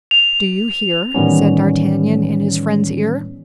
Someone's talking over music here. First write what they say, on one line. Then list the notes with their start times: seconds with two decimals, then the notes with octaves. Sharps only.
"Do you hear?" said D'Artagnan in his friend's ear.
0.11 F7
1.15 A2 D#3 E3 G3 B3 C#4